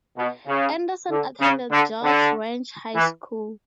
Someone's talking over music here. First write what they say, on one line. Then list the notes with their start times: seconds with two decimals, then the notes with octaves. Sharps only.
Anderson attended George Ranch High School.
0.17 B2
0.47 C#3
1.10 D3
1.40 C#3
1.71 D3
2.02 D3
2.95 E3